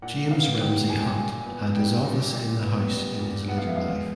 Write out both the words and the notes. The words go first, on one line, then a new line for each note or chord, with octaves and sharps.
James Ramsay Hunt had his office in the house in his later life.
A#2 F#5
B3 F5
G3 G5
A#2 G#5
G5
G#5
A#2
B3
G3 G5
A#2
A#2
B3
G3
A#2
B3 F#5
F5
E5
G#3 F5